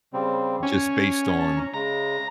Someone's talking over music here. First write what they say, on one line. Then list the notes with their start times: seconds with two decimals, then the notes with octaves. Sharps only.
just based on
0.13 C#3 G3 C4
0.63 C#4 G#5
1.38 A5
1.57 A#5
1.74 C#3 G#3 A#5